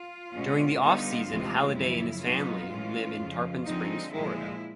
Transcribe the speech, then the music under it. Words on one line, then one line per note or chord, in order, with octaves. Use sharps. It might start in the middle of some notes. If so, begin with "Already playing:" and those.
During the offseason, Halladay and his family live in Tarpon Springs, Florida.
Already playing: F4
B2 G#3 C#4
D3 G3 B3 D#4 F4
D2 C3 E3 G#3 C4
F#2 C#3 F3 E4
B2 F#3 B3 D#4 F4
A2 E3 G#3 C#4
F2 C#3 F3
D3 F3 G#3 C4 D#4
A#2 F3 G#3 E4